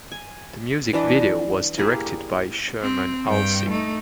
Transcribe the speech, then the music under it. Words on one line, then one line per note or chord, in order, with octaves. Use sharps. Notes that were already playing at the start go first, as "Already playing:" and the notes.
The music video was directed by Sherman Halsey.
G#5
E3 D4 B4 D#5
A#3 E4 G4 G#4
C4
G2 G5
A3 D#4